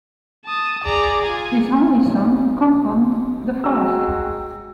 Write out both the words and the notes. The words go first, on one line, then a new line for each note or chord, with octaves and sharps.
His only son, Compton the First.
A5 D#6
G#4 D5 A#5
F4 G#5
B1
G#3 F#4 G5 A#5 E6